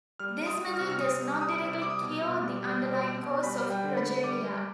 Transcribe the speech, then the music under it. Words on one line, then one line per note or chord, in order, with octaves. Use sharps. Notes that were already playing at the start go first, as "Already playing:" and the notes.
This method does not directly "cure" the underlying cause of progeria.
G3 F6
G3
D#6
G3
F6
C3
F6
C3 D#6
G3
G3 D#6
C3
G3 D6
D#6
B2 D6
B2
G3
G3
B2
B2
B2
G3 B5
G3
G5
D3
B5
D3
G3 D6
G3